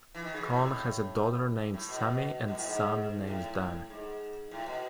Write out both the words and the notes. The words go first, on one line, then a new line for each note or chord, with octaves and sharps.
Cohn has a daughter named Sammy and a son named Dan.
E3
D#3
C#3
B2
A2
A2
B2
B2
A2
G#2
A2
G#2
A2
B2